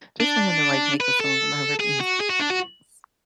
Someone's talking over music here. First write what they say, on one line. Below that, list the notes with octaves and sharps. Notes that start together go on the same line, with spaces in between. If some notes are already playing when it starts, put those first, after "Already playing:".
just for him to, like, make a song about ripping his pants,
D4
B4
A4
G#4
F#4
G#4
F#4
D4
F#4